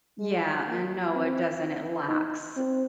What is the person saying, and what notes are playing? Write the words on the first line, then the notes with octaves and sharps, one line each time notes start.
Yeah, and no, it doesn't, it lacks
G#3
A#3
C4
D#4
C4